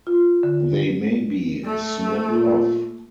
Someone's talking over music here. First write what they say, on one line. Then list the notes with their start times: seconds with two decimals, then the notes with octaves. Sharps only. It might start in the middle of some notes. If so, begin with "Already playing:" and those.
They may be snipped off.
0.07 F4
0.43 D3
1.64 A3
2.29 A#2